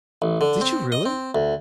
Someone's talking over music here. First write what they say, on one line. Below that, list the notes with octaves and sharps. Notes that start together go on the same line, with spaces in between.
Did you really?
A1
D3
C4
D#5
C4
D2